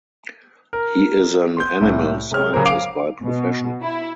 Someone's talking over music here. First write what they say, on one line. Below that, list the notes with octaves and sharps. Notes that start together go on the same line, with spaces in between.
He is an animal scientist by profession.
A#4
C6 G6
C2 A2
C3 G#3 C#4 F6
C#3 F#3 A#3 A#4 C5
F5 D6 C7 D7 F7
B2
E4